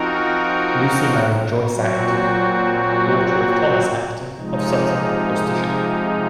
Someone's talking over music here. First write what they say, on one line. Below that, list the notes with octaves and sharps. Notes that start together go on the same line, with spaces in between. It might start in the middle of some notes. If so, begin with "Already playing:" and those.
Lucy married Joyce Acton, daughter of Thomas Acton of Sutton, Worcestershire.
Already playing: F3 C4 D#4 F#4 A#4
A#2 F#3 C4 F#4
C3 F3 G#3 D#4